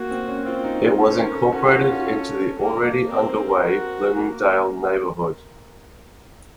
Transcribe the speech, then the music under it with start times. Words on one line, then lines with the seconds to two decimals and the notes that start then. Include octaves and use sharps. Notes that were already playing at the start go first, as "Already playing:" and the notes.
It was incorporated into the already-underway Bloomingdale neighborhood.
Already playing: A#3 F#4
0.11 C4
0.28 C#4
0.46 C4 F4
0.64 D#4
0.82 F4
0.99 C#4 A4
1.11 C5
1.18 A#4
1.35 A4
1.53 C#4 F#4
1.65 F4
1.79 F4
1.92 F#4
2.06 A4
2.59 A#3
3.11 C4 A#4
3.29 C5
3.48 A#4
3.65 F#4
4.18 A#3